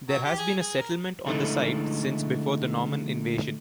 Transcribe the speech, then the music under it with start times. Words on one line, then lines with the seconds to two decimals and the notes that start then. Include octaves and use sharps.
There has been a settlement on the site since before the Norman invasion.
0.09 F#3
0.24 G4
0.38 G#4
0.60 G#4
0.79 A#4
1.27 D3 F3 G#3 A3 D#4 E4